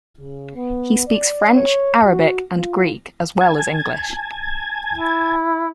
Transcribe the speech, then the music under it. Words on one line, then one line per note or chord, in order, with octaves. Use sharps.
He speaks French, Arabic, and Greek as well as English.
C#3
B3
D5
C#5
F#4
F4
G#5 A5 G#6
E4